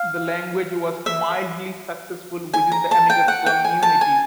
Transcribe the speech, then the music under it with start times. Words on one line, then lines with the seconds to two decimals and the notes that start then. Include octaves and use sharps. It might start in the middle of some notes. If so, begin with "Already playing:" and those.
The language was mildly successful within the Amiga community.
Already playing: F5
1.06 E5
2.54 G#5
2.72 A#5
2.91 A5
3.10 G5
3.28 F#5
3.46 G5
3.64 G#5
3.83 A5
4.01 G#5